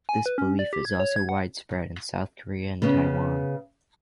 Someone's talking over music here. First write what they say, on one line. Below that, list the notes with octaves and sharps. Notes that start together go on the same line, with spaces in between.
This belief is also widespread in South Korea and Taiwan.
G#5
B4
C#4
D5
G4
G#6
C#5
G#6
F#5
C#3 B3 C#4